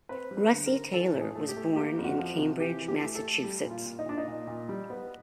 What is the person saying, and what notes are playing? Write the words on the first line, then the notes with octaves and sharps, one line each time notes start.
Russi Taylor was born in Cambridge, Massachusetts.
C4 B4
G3
B4
D3
A#4
C4
E3 A4
A2
G#4
A3
G4
A3
A#3 G4
F2
F#4
F3
C3
E3 G4
E3
G4
A3
A4
A3
G3 G4
A#2
F4
A#2
D#4
A#2 D4
D#4
A#2
A#2
G3
B3